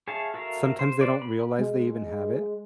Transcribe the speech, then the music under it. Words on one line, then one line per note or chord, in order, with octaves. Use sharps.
sometimes they don't realize they even have it,
G#4 C#5 E5 F5 A5
F#4 A4 A#4 E5 F5
C5
B4 C5 D5
B5
G#3